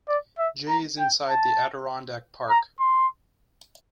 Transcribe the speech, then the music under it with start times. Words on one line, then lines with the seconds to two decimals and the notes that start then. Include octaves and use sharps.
Jay is inside the Adirondack Park.
0.09 D5
0.39 E5
0.69 A#5
0.99 G5
1.29 A5
2.50 A#5
2.80 C6